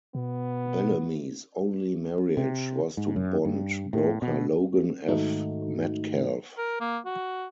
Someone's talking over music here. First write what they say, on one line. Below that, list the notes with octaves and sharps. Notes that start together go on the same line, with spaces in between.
Bellamy's only marriage was to bond broker Logan F. Metcalf.
B2 B3
C3
G#2
F#2
G2
A2
B2
G#2 D#3 A3 D#4 F#4
A#4
A#3
F#4